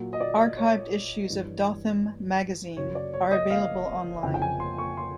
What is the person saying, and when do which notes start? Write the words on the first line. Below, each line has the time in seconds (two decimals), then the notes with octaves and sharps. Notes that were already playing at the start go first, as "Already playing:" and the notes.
Archived issues of "Dothan Magazine" are available online.
Already playing: A#2 F#3
0.13 D#5
0.20 D5
0.57 C#5
1.30 G2 E3
2.77 F#2 C#3 F#3 C#5
2.95 D5
3.13 C#5
3.31 D#5
3.50 F5
4.23 F2 C#3 F3 G5
4.34 G5
4.42 G#5
4.60 C6
4.78 C#6
4.97 C6